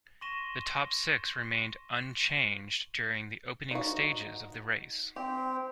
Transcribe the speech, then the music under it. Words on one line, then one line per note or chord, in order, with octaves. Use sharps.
The top six remained unchanged during the opening stages of the race.
C6 C#6 A#6 D#7 E7 G7
D#4 F#4
C4 G4